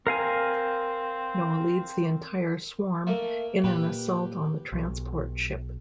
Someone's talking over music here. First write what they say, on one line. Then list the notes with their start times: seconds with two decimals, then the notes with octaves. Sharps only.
Noah leads the entire swarm in an assault on the transport ship.
0.07 C4 A#4 F5 G#5
3.07 A3 A#3
3.64 A#2 G4 B4
4.72 B1